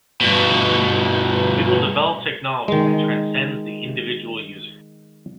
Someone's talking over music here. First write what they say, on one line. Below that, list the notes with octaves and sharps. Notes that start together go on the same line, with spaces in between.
We will develop technology that transcends the individual user.
G2 B2
D#3 G#3